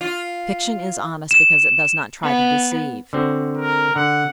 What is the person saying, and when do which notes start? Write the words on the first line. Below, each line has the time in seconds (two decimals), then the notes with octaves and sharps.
Fiction is honest because it does not try to deceive.
0.01 F4
1.31 E7
2.23 B3
3.13 D3 C4 F#4
3.57 A#4
3.96 D3 F#5